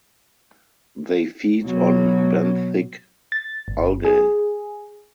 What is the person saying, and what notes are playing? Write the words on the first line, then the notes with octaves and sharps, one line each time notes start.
They feed on benthic algae.
B2 F#3
A6
G1
G#4